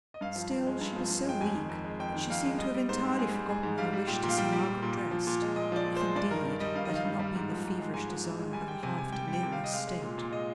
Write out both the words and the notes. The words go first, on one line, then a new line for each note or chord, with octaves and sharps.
Still she was so weak that she seemed to have entirely forgotten her wish to see Margaret dressed--if, indeed, that had not been the feverish desire of a half-delirious state.
D#5
G2 F5
F3
G2
G#3
G2
F3
G2
G#3 G5
F2 G#5
D#3
F2
G#3
F2 G5
D#3
F2 F5
G#3
G3 D#5
G3
G#2 C5
G#2
G3 G#4
G3
G#2 G#4
G#2
G3 F5
G3
A#2 G5
A#2
F5
G3 G5
G3
A#2
A#2
A#2
F3
A#2
G#3
A#2 D#5
F3 D5
A#2
G#3 C5
G2 D5
D#3 A#4
G2
G3 D#5
G2 F5
D#3 D#5
F5
G2
G3
G#2
F3
G#2
G#3
G#2 G#5
F3
G#2
G#3
G3 G#5
G3 G5
C3 G#5
C3 G#5
G3 G5
G3
G5
C3
F5
C3
D#5
G#3 F5
G#3
A#2
A#2
G#3 D#5